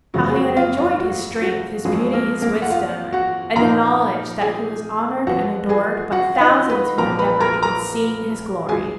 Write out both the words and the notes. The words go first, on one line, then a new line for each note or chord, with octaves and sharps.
How he had enjoyed his strength, his beauty, his wisdom, and the knowledge that he was honored and adored by thousands who had never even seen his glory!
F#1 F2 C#3 G#3 F#4
G#4
F#4
F4
F4
F#4
F#4
G#1 F#2 F3 G#3 G#4
A#3 A#4
A#3 A#4
F#5
F4 F5
F#4 F#5
A#2 F3 A#3 D#4 A#4 A#5
G#4 G#5
F#2 F3 B3 F#4 F#5
G#4 G#5
F#4 F#5
F5
D#4 D#5
B4 B5
B1 A#2 F3 A#4 A#5
B4 B5
A#4 A#5
A#4 A#5
B1 B2 G#3 G#4 G#5